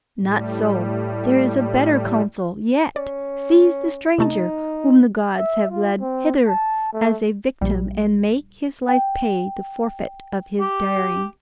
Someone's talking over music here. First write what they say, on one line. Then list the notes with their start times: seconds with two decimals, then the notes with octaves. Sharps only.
Not so, there is a better counsel yet; seize the stranger whom the gods have led hither as a victim and make his life pay the forfeit of his daring.
0.20 A2 G3
2.96 C#4 D5
4.18 C3 A3 D#4 A5
5.37 E5
5.70 F4
6.01 C4
6.48 A5
6.93 A3
7.61 A#1 G3
8.88 G5
10.60 G4